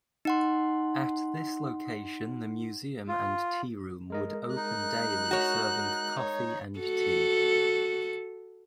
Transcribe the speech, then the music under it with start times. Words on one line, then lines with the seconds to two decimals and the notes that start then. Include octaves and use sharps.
At this location the museum and tearoom would open daily serving coffee and tea.
0.25 D#4 F#5 C6
3.08 F4
4.10 G#3 A#4 D#5
4.56 D#4 F#6
5.31 F#4 C#5
6.20 C#5
6.79 F#4 A4